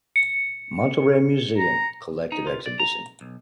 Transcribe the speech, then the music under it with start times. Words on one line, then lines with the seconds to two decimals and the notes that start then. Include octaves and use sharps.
Monterrey Museum, collective exhibition.
0.16 C#7
1.58 A#5
2.32 D#4
2.47 F4
2.66 D5
2.79 A#5
3.21 B1